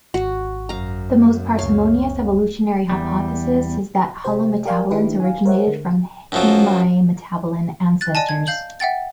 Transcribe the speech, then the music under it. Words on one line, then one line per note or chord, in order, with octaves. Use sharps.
The most parsimonious evolutionary hypothesis is that holometabolans originated from hemimetabolan ancestors.
G#1 F#4
F#2 F5 A#5
C#2 C#5 F5
E2 G3
C3 G4 C5
G4 A#4 D5 F5 G5 G#5
D#3 D4 E4 G4 B4
F5 G#5
A#4 C5 C#5 E5 F#5
D3
F#2 F3 F#3
F#6 A6
D5 D#5 G#5 A5
G#6
F5 G6 F#7
E5 F#5 G5 A6